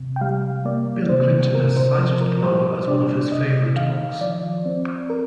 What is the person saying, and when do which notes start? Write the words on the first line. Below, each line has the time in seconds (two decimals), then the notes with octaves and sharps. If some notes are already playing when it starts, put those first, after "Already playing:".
Bill Clinton has cited the novel as one of his favorite books.
Already playing: C3
0.16 G5
0.21 G3 F5
0.65 A#3 D5
1.09 C3 C5
1.55 C3 A#4
1.77 C5
1.98 F3 C5
2.21 A#4
2.43 G3 C5
2.88 D4 D5
3.32 C3 D#5
3.76 D#3 F5
4.21 F3 D5
4.66 C4
5.10 A#4